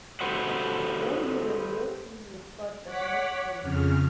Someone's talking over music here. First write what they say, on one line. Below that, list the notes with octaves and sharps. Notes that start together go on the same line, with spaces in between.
When woven, worsteds were scoured but not fulled.
F#4 G4 A4 B4 C5 F#5
C#5 F#5 D6 B6
F2 C#3 F6